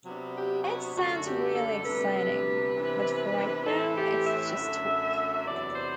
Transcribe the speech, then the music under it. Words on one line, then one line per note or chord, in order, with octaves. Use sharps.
It sounds really exciting, but for right now it's just talk.
C3 F#3 B3 D4
G4
F#4
F#2 D3 A3 D4 F#4
G4
A4
D2 C3 G3 B3 D4 B4
C3 E3 B3 D4
A2 E3 A3 C4 A4
G4
E5
F#2 D3 A3 D4
E2 C3 F#3 B3 D5
C5